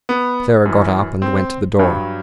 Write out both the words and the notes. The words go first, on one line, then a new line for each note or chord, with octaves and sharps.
Sarah got up and went to the door.
B3
F#2 E3
C4
G2 F#3